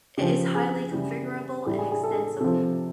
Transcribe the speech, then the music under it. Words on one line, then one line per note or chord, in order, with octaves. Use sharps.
It is highly configurable and extensible.
C#3 F3 G4
G#4
C#3 E3 G3
A2 E3 G3 A4
G#4
G#4
A4
G#4
A4
C3 F3 A4